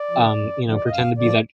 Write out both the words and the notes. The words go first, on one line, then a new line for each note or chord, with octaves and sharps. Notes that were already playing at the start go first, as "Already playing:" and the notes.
um, you know pretend to be that uh
Already playing: D5
D3 F3
F#2
D3 F3
D5
D#5
F#2 F5
D3 F3 D5